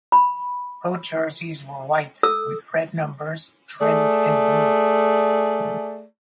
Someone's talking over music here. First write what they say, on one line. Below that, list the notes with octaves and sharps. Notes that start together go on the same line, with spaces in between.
Road jerseys were white with red numbers trimmed in blue.
B5
A4 E6
A3 G#4 D5